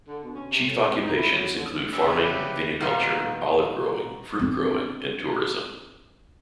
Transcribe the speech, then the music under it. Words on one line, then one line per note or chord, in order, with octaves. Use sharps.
Chief occupations include farming, viniculture, olive growing, fruit growing and tourism.
D3
B2
C#4
C3
A2
C4
D#4
E4
F#3
D3
D2 C#3 A3 G4 B4 D5 E5
A#2 D#3 G3 B3 D#4 F4
C4 D4